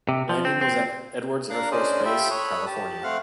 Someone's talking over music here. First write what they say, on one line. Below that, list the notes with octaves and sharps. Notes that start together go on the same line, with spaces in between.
Landing was at Edwards Air Force Base, California.
C3
F3
C4
C4
D4 A#4 F5 A#5 F#6
C#4 D4 G#4 C5 D5 D#5
F4 G4 A4 E5 G5 B5
A4 C#5 B5 D#6 F#6
G4 A5
A3 C4 F5 F#5 F6 F#6